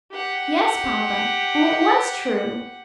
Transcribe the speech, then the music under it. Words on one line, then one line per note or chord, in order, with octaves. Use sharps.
"Yes, papa, and it was true."
G4 F#5